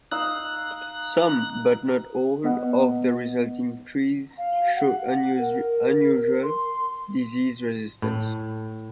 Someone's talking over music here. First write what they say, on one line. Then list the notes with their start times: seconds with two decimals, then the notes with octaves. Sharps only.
Some, but not all, of the resulting trees show unusual disease resistance.
0.12 D#4 F5 E6 F#6
2.44 B3 D#5 F#5
4.38 F5
4.76 F#5
5.06 F#5
5.39 A#4
6.43 C6
8.02 A2